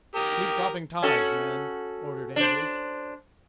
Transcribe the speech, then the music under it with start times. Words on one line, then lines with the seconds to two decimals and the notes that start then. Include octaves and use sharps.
"Keep dropping ties, men," ordered Andrews.
0.15 G4 A#4 D#6
1.02 C#4 F#4 A4
2.36 D4 C5